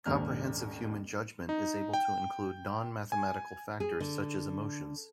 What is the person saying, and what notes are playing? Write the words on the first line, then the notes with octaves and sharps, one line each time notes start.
Comprehensive human judgment is able to include non-mathematical factors such as emotions.
D#1 D#2 G#2 C4 D4 F6
D#4
G5
G#5
G#4
D3